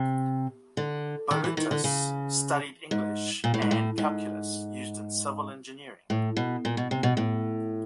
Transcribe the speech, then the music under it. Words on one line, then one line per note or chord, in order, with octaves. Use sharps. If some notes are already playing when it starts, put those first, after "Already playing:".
Balutis studied English and calculus used in civil engineering.
Already playing: C3
D3
D#3
E3
D#3
D3
C#3
G#2
A#2
A2
G#2
A2
G#2
A2
B2
A#2
B2
C3
B2
A2